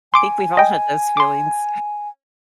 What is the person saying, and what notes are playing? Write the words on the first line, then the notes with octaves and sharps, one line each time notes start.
I think we've all had those feelings.
G#5 C6 D6 D7
D#5 G5
C6 D6